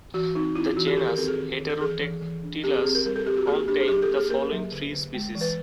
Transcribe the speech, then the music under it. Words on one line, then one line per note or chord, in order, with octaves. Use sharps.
The genus "Heterodactylus" contains the following three species.
E3 F#4
C4 D#4
C4 E4
F4
E3 F#4
G4
D#3 A4
A#4
C4 A4
G#4
D#3
D#3
A4
E3 G#4
E3
E3
D4
C4 G4
G#4
C4 G#4
A#4
G3 A#4
A4
C4 G4
F#4
A#3 G#4
D4 G4
G#4
F#3 G4
A4
A#3
G#4
A#3 A#4
F#3
D3
D3
G#3
E3
B4